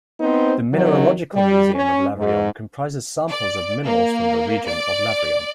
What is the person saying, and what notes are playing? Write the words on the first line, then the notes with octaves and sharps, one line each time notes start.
The Mineralogical Museum of Lavrion comprises samples of minerals from the region of Lavrion.
B3 C4 D#4 C5
C3 D#3 F#3
G3
C#4
G#2
D5
A#3
D5